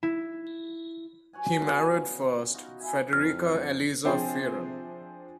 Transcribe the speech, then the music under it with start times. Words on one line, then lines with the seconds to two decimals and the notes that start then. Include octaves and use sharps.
He married first Frederica Eliza Fearon.
0.03 E4
1.33 F#3 C#5 F#5 G#5
1.60 G3 B3 C#4 F4
2.54 D#4 F4 F#4
2.80 E4 G#5
3.13 F2 F6
4.05 C3 F3 D4 G#4 C5 E5 G5